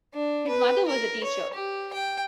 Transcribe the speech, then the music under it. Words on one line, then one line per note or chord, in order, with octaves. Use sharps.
His mother was a teacher.
D4
B4
A#4
C#5
G4
G5